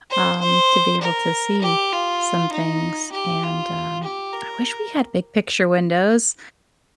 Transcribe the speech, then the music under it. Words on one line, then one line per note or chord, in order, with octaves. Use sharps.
um, to be able to see some things, and, um, I wish we had big picture windows
C5
C5
A#4
G4
F4
D#4
G4
F4
G4
A#4